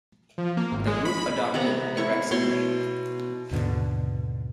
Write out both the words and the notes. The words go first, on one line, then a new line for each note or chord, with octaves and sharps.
The group adopted the Rexel name.
F3
A#3
G#1
G#3
B5
C3 B3 F#5 A#5
E4 C#5 C#6
B2 C#5 C6
D#2 G#2 B2 D3